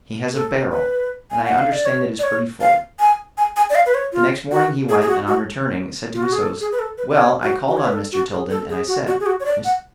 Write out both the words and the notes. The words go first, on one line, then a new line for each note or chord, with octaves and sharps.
He has a 'barrel,' and I understand it is pretty full." The next morning he went, and on returning said to his host: "Well, I called on Mr. Tilden, and I said: 'Mr.
A4
B4
G#5
F#5
F5
D5
C#5
D5
C#5
F5
G#5
G#5
G#5
D5
F5
B4
C#5
F4
F#4
G#4
G#4
F#4
F#4
F4
F#4
G#4
A4
G#4
B4
A4
B4
D5
C#5
F#4
F#4
C#5
B4
A4
F#4
G#4
A4
G#4
F#4
F#4
G#4
F#4
C#5
D5
F#5